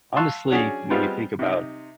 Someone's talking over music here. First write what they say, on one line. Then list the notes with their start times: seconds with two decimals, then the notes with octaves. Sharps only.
honestly, when you think about
0.16 F5 A5 C6 C#6 E6 F#6
0.51 C#4 D4 F#4 G#4
0.90 G3 G#3 B3 C4 F4 G4
1.39 C3 D#4